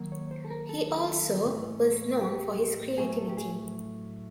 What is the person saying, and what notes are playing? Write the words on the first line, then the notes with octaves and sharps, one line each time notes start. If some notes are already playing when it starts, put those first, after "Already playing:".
He also was known for his creativity.
Already playing: D#3 F#3 A#3
C#5
C5
A4
A#4
A4
A2 E3 A3
G4
A2 F#3 A3 G#4
A4
G4
G#4